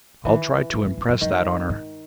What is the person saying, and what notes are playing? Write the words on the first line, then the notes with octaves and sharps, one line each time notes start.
I'll try to impress that on her.
D#3 E3
D#3
G#2
E2
F#2
F#2 D#3
G#2